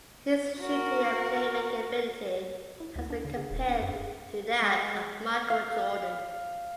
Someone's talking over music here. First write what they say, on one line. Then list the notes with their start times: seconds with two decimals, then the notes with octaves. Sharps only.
His shooting and play making ability has been compared to that of Michael Jordan.
0.59 F#4 A#4
2.80 E4
2.96 D2
3.10 D4
3.25 D3
3.36 G#4
3.51 D#1
3.68 D4
3.82 F#2
3.93 G#4
4.62 G#3
5.50 F5